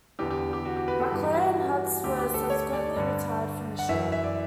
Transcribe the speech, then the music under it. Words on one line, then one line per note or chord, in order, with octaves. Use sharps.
McClure and Hutz were subsequently retired from the show.
E2 D3 G4
G4
G4
F#4
G4
B4
A4
G2 E3 G4
F#4
D2 D3 G4
G4
A4
C#5
D5
G2 D3
F#5
F#2 E3 E5
E5
D5